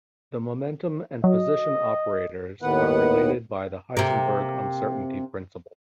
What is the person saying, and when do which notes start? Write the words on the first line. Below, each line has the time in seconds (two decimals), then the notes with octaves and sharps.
The momentum and position operators are related by the Heisenberg uncertainty principle.
1.24 F#3 D#5
2.62 D#2 A2 D#3 B3 B4 F#5
3.97 C3 A#3